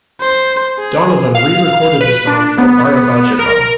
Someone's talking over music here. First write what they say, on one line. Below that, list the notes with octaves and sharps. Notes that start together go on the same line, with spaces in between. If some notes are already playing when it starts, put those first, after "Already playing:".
Donovan re-recorded the song for "Barabajagal".
C5
G#4
F5
B4
D4
B3
A#4